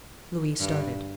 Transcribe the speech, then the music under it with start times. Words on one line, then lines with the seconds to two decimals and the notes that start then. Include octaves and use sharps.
Louis started.
0.60 G2